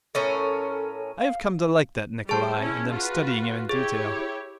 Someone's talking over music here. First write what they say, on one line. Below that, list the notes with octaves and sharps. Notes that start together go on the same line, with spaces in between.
I have come to like that Nikolay and am studying him in detail.
A2 C#4 A4 A#4
F5
G3 G#4 C5 A5
C#4 E4
F4 F#4 B4
E4 G4 G#4 C#5